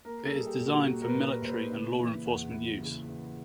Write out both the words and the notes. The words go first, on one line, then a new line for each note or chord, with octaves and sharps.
It is designed for military and law enforcement use.
A#3 A#4
A4
G3
G#4
G4
A#2
F#4
A#3 F#4
A#4
B4
A#2
A#4
A#2 C5
B4
C#3
E3
E2
E3
C#3
E3